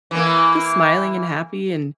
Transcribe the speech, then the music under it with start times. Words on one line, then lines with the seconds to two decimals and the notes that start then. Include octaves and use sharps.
just smiling and happy. And
0.11 E3 A#3